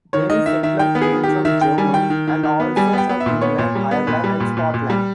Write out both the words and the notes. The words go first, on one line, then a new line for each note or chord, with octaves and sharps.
Many settler came from German, and also from England, Ireland and Scotland.
D#3 C#5
D#3 D#5
D#3 E5
D#3 E5
D#3 G5
B3
G#4
D#3
D#3 G4
D#3 E5
D#3 G5
G3 G#5
D#3 G5
D#3
D#3
D#3
B3
G3 G#5
B3 G5
B3
E5
A#2
B3 C#5
A#2
G3
B3
A#2 B4
G3
A#2
A#2
A#2
G3